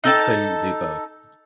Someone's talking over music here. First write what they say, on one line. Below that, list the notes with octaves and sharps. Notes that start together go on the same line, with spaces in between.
He couldn't do both.
D#4 A4 A5